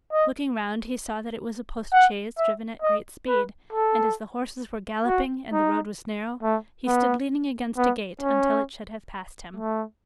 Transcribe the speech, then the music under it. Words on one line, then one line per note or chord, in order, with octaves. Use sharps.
Looking round, he saw that it was a post-chaise, driven at great speed; and as the horses were galloping, and the road was narrow, he stood leaning against a gate until it should have passed him.
D#5
F#5
E5
D#5
B4
A4
F#4
D#4
A3
B3
B3
C#4
A3